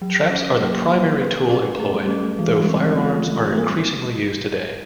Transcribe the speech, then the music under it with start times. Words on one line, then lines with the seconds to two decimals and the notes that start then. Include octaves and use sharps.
Traps are the primary tool employed, though firearms are increasingly used today.
0.02 F#3
0.31 C#4
0.60 F#3 A#3
0.90 F#3
1.20 B4
1.49 C#4
1.79 A3 G#4
1.94 G3
2.09 A3 C#4
2.23 A3
2.39 E3 G#3
2.49 G3
2.59 G#3
2.69 C4
2.98 A3 F4
3.27 A3 F4
3.52 A3
3.57 G3 A#3